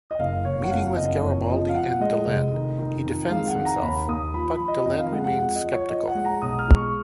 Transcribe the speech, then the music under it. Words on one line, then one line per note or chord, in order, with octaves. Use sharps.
Meeting with Garibaldi and Delenn, he defends himself, but Delenn remains skeptical.
D#5
F#1 F5
F#1 C#5
F#5
F2 F5
F#1 D#5
F2 C#5
F3 D#5
F5
F3 F#5
G#3 D#5
F1
D#3
D#3
F2
G#3 F5
F#5
D#3
A#5
D#2 B5
D#2 D#6
F3 B5
B5
F3
D#5
F2 D#5
F5
G#3 F#5
F#5
F3 F#5
D#5
F3
C#5
F3 D#5
F#5
G#3
A#5
B1 D#6
F6
G#3
C#6